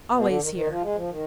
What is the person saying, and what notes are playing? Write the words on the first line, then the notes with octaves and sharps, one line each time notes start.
"Always here!"
B2
D3
D#3
D#3
F3
G#3
F3
D#3